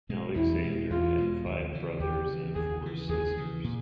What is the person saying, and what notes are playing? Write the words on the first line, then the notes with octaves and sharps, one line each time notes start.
Alexander had five brothers and four sisters.
B2 G#3
E2 E4
B2 G#3
E2 F4
B2 G#3
D#2
C#3 E3
D#2 G4
C#3 E3
D#2 G#4
C#3 E3
D#2 G#4
C#3 E3
A#2